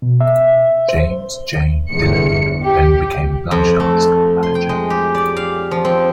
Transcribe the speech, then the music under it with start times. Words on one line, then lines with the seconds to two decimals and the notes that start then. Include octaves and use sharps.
James J. Dillon then became Blanchard's manager.
0.02 B2
0.21 E5
0.89 C5
1.91 G1 E2 C#7
2.63 G4
3.51 F2
3.80 A3
4.43 C6
4.55 G5
4.69 G#3
4.90 G4
5.15 D5
5.37 F5
5.71 F3
5.85 C4